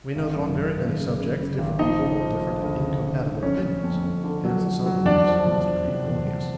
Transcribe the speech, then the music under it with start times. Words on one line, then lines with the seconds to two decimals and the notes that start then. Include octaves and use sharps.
We know that on very many subjects different people hold different and incompatible opinions: hence some beliefs must be erroneous.
0.16 G#1
0.36 F#2
0.56 G#1
0.77 G#1
0.97 C#3
1.18 C#3
1.38 C#3
1.58 G#1
1.79 F3 D#4 D#5
1.99 C#3
2.20 F3
2.40 F3
2.61 D2
2.81 C#3
3.01 C#3
3.22 D2
3.42 F2 C#4 C#5
3.63 F2
3.84 F2
4.04 F2
4.24 D3
4.45 F#3
4.65 F#3
4.86 F#3
5.05 E2 D4 D5
5.27 F3
5.47 E2
5.67 F3
5.87 C3
6.08 E2
6.28 E2